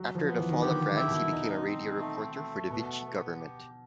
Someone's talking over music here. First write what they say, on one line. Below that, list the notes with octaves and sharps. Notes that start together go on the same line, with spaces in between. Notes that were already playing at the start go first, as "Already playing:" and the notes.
After the fall of France he became a radio reporter for the Vichy government.
Already playing: F#3
F3
B3
E3
D#3
D3 G4
E4
B2
D#4
C4
A3
A3
B2 B3
B3
G4